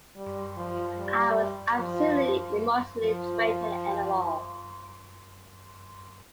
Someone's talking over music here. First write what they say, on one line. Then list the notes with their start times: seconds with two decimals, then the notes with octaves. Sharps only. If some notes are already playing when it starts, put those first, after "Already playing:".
I was absolutely emotionally drained at the end of it all.
0.16 G3
0.56 F3
0.98 G3
1.79 F3
3.01 F3